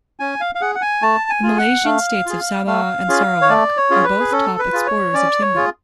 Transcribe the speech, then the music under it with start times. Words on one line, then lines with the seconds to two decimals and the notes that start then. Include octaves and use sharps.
The Malaysian states of Sabah and Sarawak are both top exporters of timber.
0.20 C#4 G#5
0.41 F5
0.55 F5
0.61 G#4 F#5
0.75 F#5
0.82 G#5
1.02 A3 A5
1.30 G#5
1.43 F4 G#4
1.58 F#5
1.84 A3 F5
2.26 F4 G#4
2.67 A3 F5
3.08 C#4 F4 G#4
3.41 C#5
3.49 A3 D5
3.77 C#5
3.90 C#4 F4 G#4
4.04 B4
4.20 G#4
4.32 C#4 A4
4.59 B4
4.73 F4 G#4
4.86 C#5
5.14 C#4 D5
5.41 C#5
5.55 F4 G#4